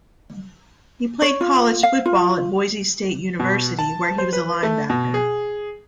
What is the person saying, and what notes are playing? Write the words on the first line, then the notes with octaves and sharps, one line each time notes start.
He played college football at Boise State University, where he was a linebacker.
C#5
F4
F5
F4
B2
A5
C5
B4
A3
B2
G#4